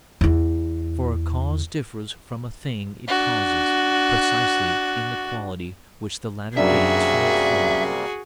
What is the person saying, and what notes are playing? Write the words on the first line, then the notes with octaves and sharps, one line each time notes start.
For a cause differs from a thing it causes, precisely in the quality which the latter gains from the former.
E2 E4
D4 F#4
F#2 C3 G3 A#3 D4 F#4 G#4 E5